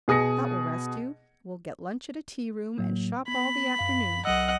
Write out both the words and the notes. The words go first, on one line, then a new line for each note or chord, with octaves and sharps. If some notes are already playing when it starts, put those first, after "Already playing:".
That will rest you. We'll get lunch at a tea-room, and shop all the afternoon.
B2 G#4 D#6 A#6 C#7
A2 F#3 A#3
B3 B5
F#2 F5
B1 F#3 D#5 F#5 E6